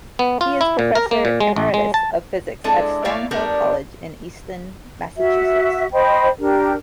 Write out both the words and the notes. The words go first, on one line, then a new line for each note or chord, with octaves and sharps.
He is Professor Emeritus of Physics at Stonehill College, in Easton, Massachusetts.
B3
F4
E4
A#2
A#4
A#3
A#2
G#3
A1
G#3
A5
G#3 C4 D4 E4 A4
A3 A#3 E4 C#5 D5 F5
G3 A3 B3 D4 A#4
F#4 E5
C5 D#5 G5 B5
D4 G4 A#4